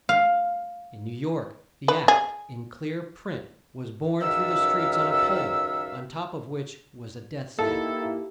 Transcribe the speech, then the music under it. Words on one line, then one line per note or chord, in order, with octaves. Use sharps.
In New York, the Act--in clear print--was borne through the streets on a pole, on top of which was a death's head.
F5
B4
G#4
C#2 F#2 D#3 E5 F5 E6
A#3 D#4 E4 G4 A4 A5